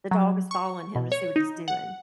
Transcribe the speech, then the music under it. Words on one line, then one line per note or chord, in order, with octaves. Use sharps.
the dog is following him to see what he's doing.
F#3
C#6
B2
C#5
D#4
F#5